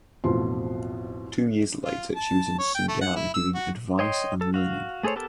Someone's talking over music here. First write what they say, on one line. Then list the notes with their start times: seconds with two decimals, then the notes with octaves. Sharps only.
Two years later she was in Sudan giving advise and learning.
0.24 A1 F2 B2 F3 C6
1.85 F4
2.16 A5
2.58 C#5
2.75 G5
2.88 A3
3.01 F#5
3.16 E4
3.34 E6
3.54 F#4
3.99 C#5 D#5 G5 C6
4.41 A4
4.54 F#4 F5
5.03 A3 G#4 A4 C5 C#5
5.16 B3 G4 A4 A#4 A5